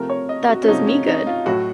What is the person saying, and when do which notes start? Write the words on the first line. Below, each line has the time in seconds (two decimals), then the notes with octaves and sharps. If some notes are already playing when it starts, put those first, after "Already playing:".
That does me good!
Already playing: C3 F3 A3 A#4
0.10 C#5
0.29 D#5
0.49 F#4
0.63 C#4
0.68 C3 F3 A3 D#4
0.87 C#4
1.07 D#4
1.27 F4
1.46 A2 F#3 A3 F#4